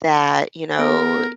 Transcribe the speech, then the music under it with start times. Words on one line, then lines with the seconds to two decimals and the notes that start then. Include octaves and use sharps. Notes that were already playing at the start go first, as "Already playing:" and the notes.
that, you know,
0.79 B3 A4 A#4 D7